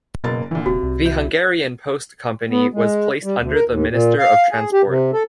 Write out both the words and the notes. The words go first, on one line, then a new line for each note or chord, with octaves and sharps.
The Hungarian Post Company was placed under the Minister of Transport.
F#1 B2 A#3 A6
A#2 D3 E3
D#1 C3 F#4
C2
E4 G6
B3
G#3
G3
D2
A#4
D#2
A#2
F5
G#4
G4
C3
A4